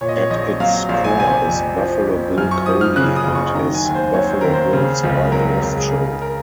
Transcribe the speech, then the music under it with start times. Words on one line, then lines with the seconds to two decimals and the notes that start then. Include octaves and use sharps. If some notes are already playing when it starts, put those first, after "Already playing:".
At its core is Buffalo Bill Cody and his "Buffalo Bill's Wild West Show".
0.01 A#2 C#5
0.08 D#5
0.16 C#5
0.30 A#1 D#5
0.60 F#3 F5
0.89 A#1 F5
1.04 G#5
1.19 C3 G#5
1.48 F2
1.78 F3
2.07 F2
2.38 F#2 F6
2.51 C#6
2.66 F3 D#6
2.81 F6
2.96 C#3 F#6
3.16 D#6
3.26 F#1
3.35 C#6
3.55 D#3 A#5
3.74 G#5
3.85 D#2
3.95 C5
4.14 F#3 C#5
4.27 C5
4.41 D#2 A#4
4.53 C5
4.73 C#3
5.03 C#2
5.32 F#3 A#4
5.48 A#4
5.62 C#2 A#4
5.77 G#4
5.91 C#3 A#4
6.22 A#4